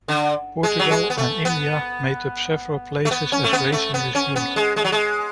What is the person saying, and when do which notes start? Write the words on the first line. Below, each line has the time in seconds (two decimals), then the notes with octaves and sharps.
Portugal and India made up several places as racing resumed.
0.08 D3
0.63 G#3
0.79 F#3
0.91 G#3
1.10 B3
1.18 A3
1.45 B3
3.05 A3
3.11 B3
3.32 C#4
3.44 A3
3.53 B3
3.72 A3
3.94 B3
4.15 C#4
4.36 B3
4.56 G#3
4.76 G#3
4.84 F#3
4.92 G#3